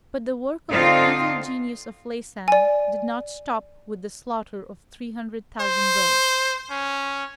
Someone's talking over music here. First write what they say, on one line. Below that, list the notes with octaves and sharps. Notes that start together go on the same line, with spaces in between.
But the work of the Evil Genius of Laysan did not stop with the slaughter of three hundred thousand birds.
D3 C4 D#4 F4 F5
D5 G#5
C5
C#4